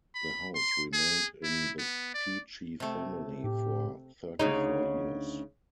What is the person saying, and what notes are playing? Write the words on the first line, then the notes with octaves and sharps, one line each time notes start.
The house remained in the Peachey family for thirty-four years.
B5
C6
G#4
E4
B3
D5
C3 A3
A2 G4
D2 C#3 D#4